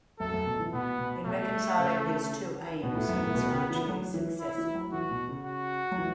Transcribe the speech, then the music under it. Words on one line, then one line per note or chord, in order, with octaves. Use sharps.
In reconciling these two aims he was largely successful.
F#2 A4
F#2
B2
E3
B2 B3
B2
B2 A3
C#3
B2 B3
A2
F#2
A2
B2
C#3
E3
F#3
E3
E4
E3
F#3
E3 F#4
B2
C#3
F#4
F#3
E3